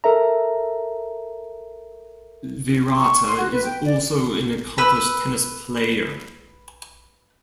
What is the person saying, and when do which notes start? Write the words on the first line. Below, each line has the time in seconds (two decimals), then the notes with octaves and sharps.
Virata is also an accomplished tennis player.
0.04 A4 A#4 E5 A#5
2.96 C#6
3.25 C6
3.37 F#4
3.50 B4
3.64 G5
3.84 D5
4.78 B4 E6